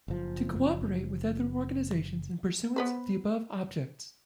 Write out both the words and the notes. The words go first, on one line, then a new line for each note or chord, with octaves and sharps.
To co-operate with other organisations in pursuance of the above objects.
F#1 F3
B3 B4 C5